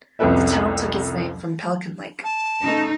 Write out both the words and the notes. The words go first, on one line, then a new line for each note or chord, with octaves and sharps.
The town took its name from Pelican Lake.
C2 F2 C#4 A4 B4 E5
A5
C#3 A3 D#4